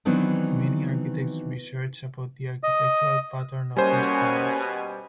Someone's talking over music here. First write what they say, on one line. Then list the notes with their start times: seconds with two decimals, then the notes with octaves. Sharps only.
Many architects researched about the architectural pattern of this palace.
0.05 D#3 E3 F#3 B3 C4 D4
2.63 D#5
3.77 B2 G3 A#3 C#4 C5 C#5 G#5